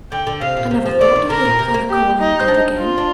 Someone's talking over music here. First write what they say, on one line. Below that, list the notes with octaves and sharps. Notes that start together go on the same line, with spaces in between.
'I never thought to hear father call on God again.
D3 G5
D3
C3 F5
A#2
C3
F3
D#3 D5
D#3
D3 A#4
A#2
C3
A#3
G4
D#4
C4
D4
F4
D4